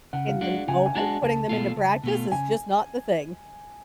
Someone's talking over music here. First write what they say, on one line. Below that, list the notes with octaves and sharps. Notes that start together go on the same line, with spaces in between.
in the moment, putting them into practice is just not the thing.
C#3 F#5
F5
G#3 D4 F#4 F#5
C#3 G#5
G#5
G#3 D4 F#4 A5
C#2 A5
B2 A3 F4
C#2
B2 A3 F4
C#3 G#5